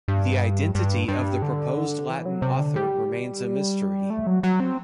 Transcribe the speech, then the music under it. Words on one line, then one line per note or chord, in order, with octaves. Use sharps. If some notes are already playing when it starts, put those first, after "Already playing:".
The identity of the proposed Latin author remains a mystery.
G2
G2
G2
D3
E3
F#3
C3
D3
G3
A3
F#3
F#3
C4